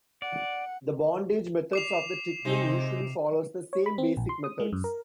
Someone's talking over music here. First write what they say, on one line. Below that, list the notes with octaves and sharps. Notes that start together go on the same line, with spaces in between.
The bondage methods of the tickling usually follows the same basic methods.
D5 F#5
D6 C7 F7
C3 G#3 C4 D#4
C#5
B5
C4
A#1
C6
D#6
G#3
F#2
A#4